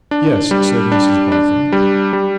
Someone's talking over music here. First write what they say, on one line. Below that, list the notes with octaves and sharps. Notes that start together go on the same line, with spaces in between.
'Yes,' said Mrs Boffin.
D4
G3
D4
D4
G3
G3